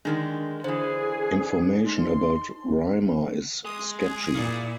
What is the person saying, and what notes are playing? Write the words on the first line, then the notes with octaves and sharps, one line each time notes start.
Information about Rymer is sketchy.
D3 D#3 G#3 D4
D3 E3 G#4 C5
D#4 C6
G#3 D#6
G#4
A#2 A#3 E4 D5